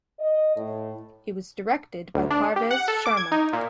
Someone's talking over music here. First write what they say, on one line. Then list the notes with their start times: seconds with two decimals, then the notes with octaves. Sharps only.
It was directed by Parvez Sharma.
0.19 D#5
0.55 A2
2.14 D2
2.31 D4
2.56 G4
2.71 F#5
2.88 A4
3.06 D6
3.17 G#6
3.32 D#4
3.53 A#2